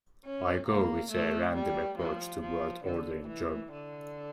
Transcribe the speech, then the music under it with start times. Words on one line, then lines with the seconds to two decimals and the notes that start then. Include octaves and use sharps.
I go with a random approach to word order in German.
0.25 C#4
0.67 A#3
1.11 A3
1.54 G3
1.98 F3
2.41 F3
2.84 D3
3.28 E3
3.71 D3